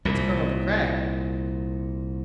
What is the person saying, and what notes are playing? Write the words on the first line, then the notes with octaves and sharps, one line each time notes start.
"It's Colonel De Craye."
C2 A#2